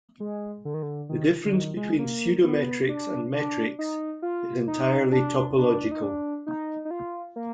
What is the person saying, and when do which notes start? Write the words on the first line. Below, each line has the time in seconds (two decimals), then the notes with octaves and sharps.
The difference between pseudometrics and metrics is entirely topological.
0.20 G#3
0.65 D3
0.74 D#3
0.83 D3
1.09 D#3
1.45 D3
1.54 D#3
1.77 G#3
1.99 A#3
2.44 B3
2.89 D4
3.33 D4
3.79 D#4
4.22 F4
4.68 D#4
5.12 D4
5.58 D4
5.91 D#4
6.02 D4
6.47 D#4
6.85 D#4
6.91 F4
7.36 A#3